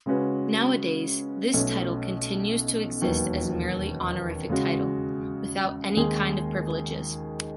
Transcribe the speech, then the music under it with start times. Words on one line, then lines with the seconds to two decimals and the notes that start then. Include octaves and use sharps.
Nowadays this title continues to exist as a merely honorific title, without any kind of privileges.
0.06 C#3 G#3 C#4 F#4 B4
1.53 B1 B2 A3 C#4
3.02 E1 D#2 D#3 F#3 B3
4.49 C#3 G#3 C#4 F#4
5.97 D#2 D#3 G#3 D#4 G#4